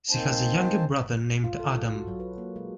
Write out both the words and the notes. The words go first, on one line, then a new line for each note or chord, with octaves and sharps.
She has a younger brother named Adam.
A#3 C4 D#4 C5 G#5 A5
F4
A4
F4
F#4
F#3
B4
A#3
G#3